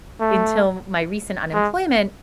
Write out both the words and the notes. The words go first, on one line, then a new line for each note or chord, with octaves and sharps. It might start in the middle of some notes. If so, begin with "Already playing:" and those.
until my recent unemployment,
A3
G#3